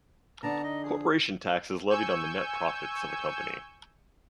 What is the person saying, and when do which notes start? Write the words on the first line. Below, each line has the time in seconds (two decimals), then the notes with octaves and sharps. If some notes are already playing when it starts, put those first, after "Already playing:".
Corporation tax is levied on the net profits of a company.
0.43 D3 B3 D4 A5 A#5
0.63 D#4 D#5
0.83 F3 G#4
1.90 G#5 C#6 E6 G6